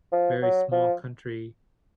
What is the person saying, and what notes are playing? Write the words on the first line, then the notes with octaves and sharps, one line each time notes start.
very small country
F3
F#3
F3